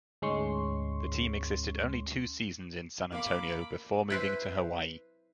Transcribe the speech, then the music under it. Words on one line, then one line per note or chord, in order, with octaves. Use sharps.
The team existed only two seasons in San Antonio before moving to Hawaii.
D2 G#2 G#3 C#4 C6 C#6
A#3 F5 B5 D6
E4 B4 C5